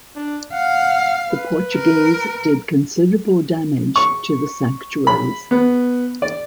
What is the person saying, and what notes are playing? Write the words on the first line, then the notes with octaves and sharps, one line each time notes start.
The Portuguese did considerable damage to the sanctuaries.
D4
F5 F#5
B4
A#4
C#6
B5
B3
D5